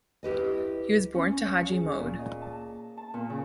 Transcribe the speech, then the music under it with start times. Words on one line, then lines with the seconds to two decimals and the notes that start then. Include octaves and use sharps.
He was born to Haji Mohd.
0.23 E4 G4 B4 D#5
1.15 C#4
1.45 C#5
1.70 G#4
1.99 A#2
2.19 D#5
2.42 A5
2.97 A5
3.14 A#2
3.30 C#3